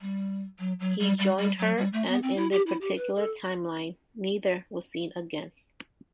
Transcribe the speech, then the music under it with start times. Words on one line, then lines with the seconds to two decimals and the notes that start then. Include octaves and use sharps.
He joined her, and in that particular timeline, neither was seen again.
0.01 G3
0.59 F#3
0.80 F#3
1.00 G3
1.19 G3
1.38 G3
1.58 F#3
1.77 G3
1.93 A3
2.08 B3
2.23 C4
2.37 E4
2.52 G4
2.67 E4
2.81 G4
2.97 B4
3.16 A4